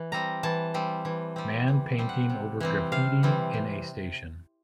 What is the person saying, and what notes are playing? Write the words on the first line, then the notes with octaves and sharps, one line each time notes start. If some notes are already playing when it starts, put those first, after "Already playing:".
Man painting over Graffiti in a station.
Already playing: E3
G3 C4 A#5
E3 A5
G3 C4
E3
G3 C4
E3
G3 C4
F#5
C3
E3 G3 C4
C3 F5
E3 G3 C4
C3